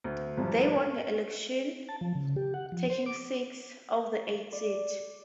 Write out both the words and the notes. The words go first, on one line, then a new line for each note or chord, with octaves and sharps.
They won the elections, taking six of the eight seats.
D2
G#1 F2 A2 G3
A5
F3
C#3
G4
F#5
F3
C5
D6
D5